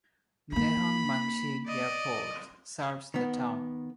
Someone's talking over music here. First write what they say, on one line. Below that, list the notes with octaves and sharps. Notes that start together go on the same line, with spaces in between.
Dehong Mangshi Airport serves the town.
A#3 D#4 B5
D5 D#5
D#3 B3